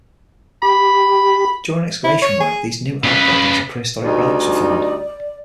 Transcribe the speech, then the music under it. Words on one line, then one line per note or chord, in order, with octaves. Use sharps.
During excavation work for these new outbuildings prehistoric relicts were found.
G4 B5
E4
C#5
G#4
C#3 B4
D2 G3 D#4 D5